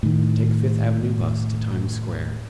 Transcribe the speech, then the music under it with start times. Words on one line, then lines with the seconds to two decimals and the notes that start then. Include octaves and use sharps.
Take Fifth Avenue Bus to Times Square.
0.03 A2 D#3